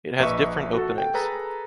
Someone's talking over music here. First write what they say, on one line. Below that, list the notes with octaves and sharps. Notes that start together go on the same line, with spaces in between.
It has different openings.
A#1 B4 D#5 E5 C#6
F#4 A4
G5
G#4 A4 B4 A#5